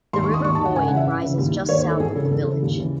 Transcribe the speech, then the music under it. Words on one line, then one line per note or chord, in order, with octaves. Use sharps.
The River Boyd rises just south of the village.
D#2 C6
C#6
D#3
D#6
D#2 C#6
A5
D#3
F#5
C#2 G#5
C#3 E3 F#5
E5
C#2
C#3 E3
D#2
D#3
D#2 C#5
C5
D#3
A4
E2 G#4
C#3 E3 A4
E2 A4
C#3 E3
D#2
C#3 E3